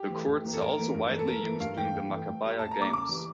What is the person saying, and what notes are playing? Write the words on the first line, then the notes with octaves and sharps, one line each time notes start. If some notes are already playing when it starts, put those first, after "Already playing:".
The courts are also widely used during the Maccabiah Games.
Already playing: G4
E3 A3
A2
E3 A#3
A4
A2 A#4
E3 A#3
G2
E3 A3
A4
G2 A#4
E3 A3
G2 F5
E3 A3 G5
G2
E3 A3
A2
G3 A#3
A2 A5
A#5
G3 A#3 D6
C#3 D6
E3 G3